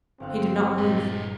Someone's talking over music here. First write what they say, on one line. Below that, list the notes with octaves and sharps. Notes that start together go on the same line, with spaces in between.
He did not move.
G1 C4 F5 F#6
G2 A#2 G#3 A#3 D#5